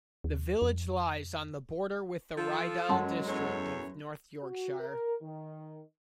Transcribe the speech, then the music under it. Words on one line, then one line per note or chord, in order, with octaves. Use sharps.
The village lies on the border with the Ryedale district of North Yorkshire.
D#2
F2
F3 F4 A4
F#2 F#3 G#3 F#5 A5 C6
E2 A4 C#5
F#4
A#4
D#3